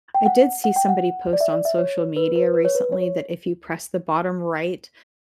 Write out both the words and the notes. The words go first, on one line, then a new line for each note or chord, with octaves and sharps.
I did see somebody post on social media recently, that if you press the bottom right
G5
F#5
F#5
G5
F#5
D5
E5
D5
E5
C#5
B4
B4
B4
C#5
B4
C#5